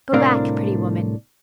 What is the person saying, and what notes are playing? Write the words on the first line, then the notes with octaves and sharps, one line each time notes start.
'Go back, pretty woman!
C2 A2 C4 D4 A#4 F5